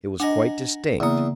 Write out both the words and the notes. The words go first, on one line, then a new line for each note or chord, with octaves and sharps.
It was quite distinct.
D4 D#5 F#5 G#5 A#5
E2 C#3 A#3 D#6